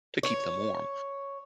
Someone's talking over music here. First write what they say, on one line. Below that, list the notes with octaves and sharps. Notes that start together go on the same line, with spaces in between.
to keep them warm.
C#5